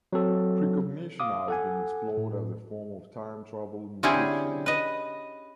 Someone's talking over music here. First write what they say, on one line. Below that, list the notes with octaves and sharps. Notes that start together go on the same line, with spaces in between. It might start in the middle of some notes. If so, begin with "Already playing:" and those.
Precognition has been explored as a form of time travel in fiction.
F#3 C4 A4
F5 D6 D#6
A4 F#5 G#5
A2
D3 C4 C#4 E4 G4 G#4
B4 D#5